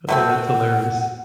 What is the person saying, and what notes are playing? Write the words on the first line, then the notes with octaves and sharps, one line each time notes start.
Oh, that's hilarious.
B2 A3 C4 F#5